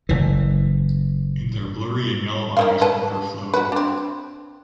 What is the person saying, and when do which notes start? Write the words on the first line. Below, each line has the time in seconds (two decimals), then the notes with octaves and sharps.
In their blurry and yellow eyes, water flowed.
0.09 F#1 E3
2.57 D#3 C4 F5
2.81 B4 A5
3.54 F#4 B4
3.72 C4 D4